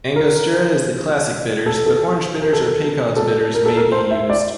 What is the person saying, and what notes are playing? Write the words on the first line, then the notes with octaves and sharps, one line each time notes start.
Angostura is the classic bitters, but orange bitters or Peychaud's Bitters may be used.
A#4
A4
A4
A#4
A4
A#4
A4
A#4
A4
A#4
C5
E5
D5